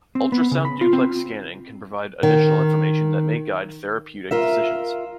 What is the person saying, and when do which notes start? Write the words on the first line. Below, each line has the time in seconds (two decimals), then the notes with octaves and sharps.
Ultrasound duplex scanning can provide additional information that may guide therapeutic decisions.
0.15 C4
0.32 B3
0.52 C#3
0.65 B5
0.81 F4
0.93 C4
2.23 D#3
4.31 F4 A#4 E5